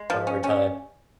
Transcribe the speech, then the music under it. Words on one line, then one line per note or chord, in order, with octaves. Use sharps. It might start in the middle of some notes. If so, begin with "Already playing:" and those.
over time.
Already playing: G#3
F3
C#4
C#4